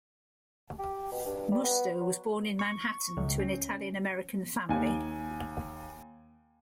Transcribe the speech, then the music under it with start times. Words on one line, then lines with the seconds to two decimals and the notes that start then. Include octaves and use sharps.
Musto was born in Manhattan to an Italian American family.
0.79 G4
1.12 B2
1.26 G2
1.52 G3
1.64 B3
2.01 F#3
2.59 C#6
3.17 C#2
3.40 C#4
4.69 D#2 G#5